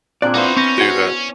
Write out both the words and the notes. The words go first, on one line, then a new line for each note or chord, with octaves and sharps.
to do that.
A#2 A#3 C4 D4 F4 G#4 D5 F#6
B3 D#4 E4 F#4 C5
C4 C#4 C#6 G6 A#6
F#4 G#4 F#5